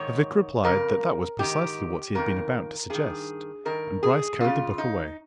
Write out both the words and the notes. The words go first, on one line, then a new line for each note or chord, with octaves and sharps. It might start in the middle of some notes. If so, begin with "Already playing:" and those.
The vicar replied that that was precisely what he had been about to suggest, and Bryce carried the book away.
Already playing: G#2 D#3 C#5
F2 C#3 A#4
G#2 D#3 G4
F2 D#3 A#4
G2 D#3 G#4
G2 D#3 A#4
G#4
F2 C#3 F4
D#4